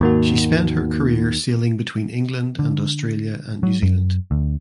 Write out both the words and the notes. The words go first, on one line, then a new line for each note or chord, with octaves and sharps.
She spent her career sailing between England and Australia and New Zealand.
D#2 G#2 A#3 F#4
D3
F#3
F#2
D2